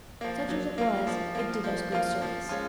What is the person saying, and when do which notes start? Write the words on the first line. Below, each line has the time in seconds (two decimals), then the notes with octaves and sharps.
Such as it was, it did us good service.
0.21 F3 A#3
0.49 F#3
0.78 A#3 F4
1.07 F3
1.35 A#3 F4
1.64 F3
1.92 A#3 F4
2.22 F3
2.49 G#3 C#4 F4